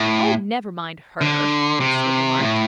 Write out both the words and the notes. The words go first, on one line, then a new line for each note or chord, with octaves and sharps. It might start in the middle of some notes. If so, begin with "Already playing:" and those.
"Oh, never mind her," Hurstwood remarked.
Already playing: A2
D3
C3
A2